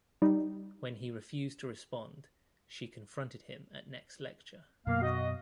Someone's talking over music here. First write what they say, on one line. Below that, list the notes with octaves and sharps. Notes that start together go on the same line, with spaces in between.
When he refused to respond, she confronted him at next lecture.
G3 D#4
F#2 B2 A#3 F5
F#4 D#5